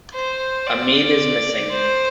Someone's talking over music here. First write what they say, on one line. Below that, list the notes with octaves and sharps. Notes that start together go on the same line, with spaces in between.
A meal is missing.
C5
D5
C5